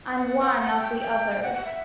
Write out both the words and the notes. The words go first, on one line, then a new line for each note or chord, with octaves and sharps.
I’m one of the others.
F#5
F#5
G5
G5
F#5
F#5
E5